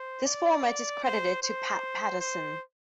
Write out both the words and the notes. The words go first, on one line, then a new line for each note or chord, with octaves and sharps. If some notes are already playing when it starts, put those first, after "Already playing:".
This format is credited to Pat Patterson.
Already playing: C5
D5
C5
C5
C5